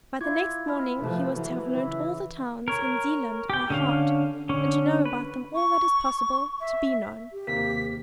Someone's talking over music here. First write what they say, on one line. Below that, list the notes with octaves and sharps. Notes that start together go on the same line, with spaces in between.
By the next morning he was to have learnt all the towns in Zealand by heart, and to know about them all that is possible to be known.
E4 F4 C#6 D6 G#6
D#5 B5 F6
C3 F3 A3 B4
E3 F#3
C#3 E4
A#4 C#5
G4 G5
D3 C#4 F5
D3 C#4
B4
C#6
E5
G4
D#2 C3 A#3 B6